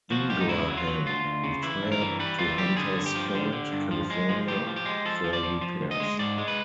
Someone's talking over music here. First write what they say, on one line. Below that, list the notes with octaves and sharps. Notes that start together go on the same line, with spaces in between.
"Ingraham" retired to Hunter's Point, California, for repairs.
F3 F#4
G#2 G4
D#4
C#3 E4
F#3
F4
F#3
D2 F4
D2
C#3
E3 E4
G2
A#4
E3
G3 B4
E3 F4
G3 G4
D3 G#4
G2
G4
F3
D3
D3
G2
F3
G#3
F3
A2 G4
F3
G4
G#3
F3 A4
F3
D5
F3
F3
D2
D#5
G#3
G#2 D5
G#3
B4